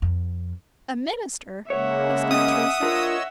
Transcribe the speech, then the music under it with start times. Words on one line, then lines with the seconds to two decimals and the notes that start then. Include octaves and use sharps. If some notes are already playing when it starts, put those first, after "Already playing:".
"A minister!" exclaimed Teresa.
0.02 F2
1.70 C#3 G#3 A#3 C#5 E5 F#5
2.31 C#4 D#5 G#5 D#6
2.82 D4 F4 A#4 C#5 D#5 E6